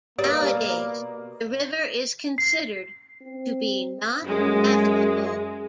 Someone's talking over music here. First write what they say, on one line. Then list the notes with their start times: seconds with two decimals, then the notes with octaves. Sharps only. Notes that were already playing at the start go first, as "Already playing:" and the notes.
Nowadays the river is considered to be not navigable.
0.19 B2 A#3 G4 D5
2.38 C7
3.21 C4
4.25 F#2 G#3